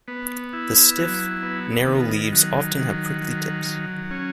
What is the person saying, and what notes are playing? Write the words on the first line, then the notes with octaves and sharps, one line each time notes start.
The stiff, narrow leaves often have prickly tips.
B3
E4
F#3
B3
D#3
F#3
D#3
F#3
F#3
C#4